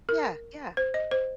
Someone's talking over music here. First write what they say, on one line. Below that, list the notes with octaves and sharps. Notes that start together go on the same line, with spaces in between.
Yeah, yeah.
A#4
C5
D#5
C5